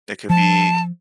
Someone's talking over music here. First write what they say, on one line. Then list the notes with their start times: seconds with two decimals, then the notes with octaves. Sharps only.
It could be
0.30 F3 A5